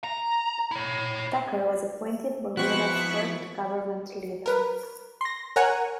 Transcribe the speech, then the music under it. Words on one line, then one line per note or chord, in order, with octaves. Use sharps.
Tucker was appointed Bermuda’s first Government Leader.
A#5
E4 C#5
F3 B3 C4 E4 F#4 C#6 F#6
A#4 B4
C6 A#6
A#4 C#5 F#5 G#5